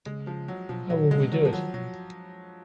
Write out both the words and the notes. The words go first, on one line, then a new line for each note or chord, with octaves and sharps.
How will we do it?
C#3 G#3
F3
F#3
B2 F3
A#2 F#3
B2 G#3
C#3 F#3
F3
D#3 F#3
B2 F#3